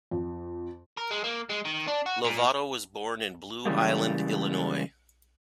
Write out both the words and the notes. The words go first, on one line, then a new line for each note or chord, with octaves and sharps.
Lovato was born in Blue Island, Illinois.
F2
A#4
G#3
A#3
G#3
D#3
D4
F#4
A#2
C#3 E3 G3 G#3 A#3